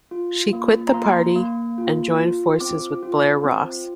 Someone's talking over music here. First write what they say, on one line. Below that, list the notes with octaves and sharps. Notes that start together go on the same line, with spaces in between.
She quit the party, and joined forces with Blair Ross.
F4
A#3
A#5
A#3 C6
A#3
F4
F4
C4 D6
F4
C4